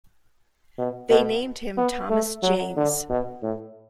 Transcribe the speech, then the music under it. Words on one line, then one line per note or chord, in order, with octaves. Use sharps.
They named him Thomas James.
B2
B2
B3
A3
F#3
D3
B2
A2